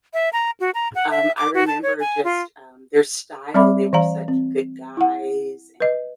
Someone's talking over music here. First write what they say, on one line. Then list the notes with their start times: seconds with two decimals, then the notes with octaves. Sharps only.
Um, I remember just, um, their style. They were such good guys, and
0.14 E5
0.33 A#5
0.60 F#4
0.75 A#5
0.95 F#5
1.11 E5
1.37 D6
1.54 F#4
1.67 A5
1.83 C#5
2.00 G#5
2.24 F4
3.54 G3 C4 D5 E5 B5 D6
3.93 E3 D5 F5 A#5
4.28 C4
4.97 E4 F#5
5.80 B4 D#5